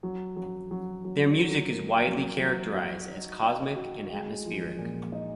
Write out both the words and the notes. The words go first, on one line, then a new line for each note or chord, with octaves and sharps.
Their music is widely characterized as cosmic and atmospheric.
F#3
F#3
F#3
F#3
F#3
A#3
F#3
F#3
F#4
D#4
D#4
F#4
G#3
F3
A#2
D#4